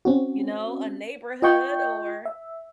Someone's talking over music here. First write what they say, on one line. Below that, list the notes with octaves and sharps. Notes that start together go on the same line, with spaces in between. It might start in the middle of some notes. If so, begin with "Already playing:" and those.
you know, a neighborhood or
C4 C#4 F#4
F4 D#5 G5 C#6 G6
E5